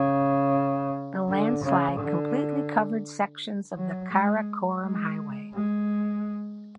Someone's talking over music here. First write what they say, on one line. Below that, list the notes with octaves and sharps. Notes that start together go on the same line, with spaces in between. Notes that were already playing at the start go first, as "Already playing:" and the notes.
The landslide completely covered sections of the Karakoram Highway.
Already playing: C#3
D3
C#3
D3
F#3
G#3
G#3
G#3